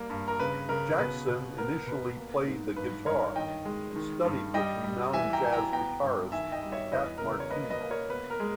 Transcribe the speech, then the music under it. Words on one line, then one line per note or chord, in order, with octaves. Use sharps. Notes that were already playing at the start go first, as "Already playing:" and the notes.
Jackson initially played the guitar, and studied with renowned jazz guitarist Pat Martino.
Already playing: G3 A#3
G2
A#4
C#3 B4
C#3 A#4
B2 B4
B2
B3 A#4
B2 B4
A#3
G#2
G2 B4
G2 A#4 C#5
D#3 D#5 G5
G#3
D#3
G2
G3 D#5 G5
G3
E3 E5 G#5
G5 A#5
E3 G#5
G5 A#5
B3 G5 A#5
G2
D#3 E5 G#5
D#5 G5
G3
C#5 E5
E2 B4 D#5
C#3 A#4
B4
C#5
A#3 B4 D#5
B4 D#5
A#3
A#4 C#5
B3 B4
A#4
G#3